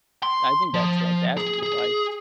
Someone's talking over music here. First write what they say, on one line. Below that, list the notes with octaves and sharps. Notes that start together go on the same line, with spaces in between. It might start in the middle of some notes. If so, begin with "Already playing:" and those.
I think that's fantastic advice.
C6
F3
G#4
G#4